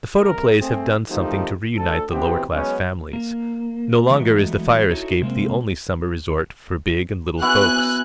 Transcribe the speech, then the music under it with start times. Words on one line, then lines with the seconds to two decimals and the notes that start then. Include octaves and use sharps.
The photoplays have done something to reunite the lower-class families. No longer is the fire-escape the only summer resort for big and little folks.
0.19 C2 A#4
0.60 A3 C4 G#4
1.10 D#3 F3 A3 C4 D#4 G4
1.76 D2 A4
2.10 B2 E3 B3 C4 G4
2.53 F#3 G#3 B3 C#4
3.13 A#3
4.10 E3 F#3 G#3 A3 B3
4.91 D#4 E4 F#4 A4 C#5
5.22 C3 G#3 A#3 C4
7.42 B3 E4 F#4 G#5 F#6